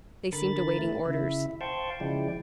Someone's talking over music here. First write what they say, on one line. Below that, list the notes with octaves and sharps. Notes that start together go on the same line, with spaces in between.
They seemed awaiting orders.
D3 A#4 B5 A6
A3 E4
C#3 E4 E5
C5 F5 G5 A5 C6 C#6
C#3 F3 G#3 E4 D5 G5